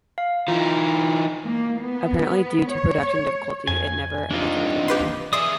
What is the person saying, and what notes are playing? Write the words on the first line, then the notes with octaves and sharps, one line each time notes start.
Apparently due to production difficulties, it never eventuated.
F5
E3 D#4 F4 A#5
A#3
B3
C#5
F2 G#5
C3 D4 D#4 F4
G4 B4 C6
G#4 D5 E5 C6 D#6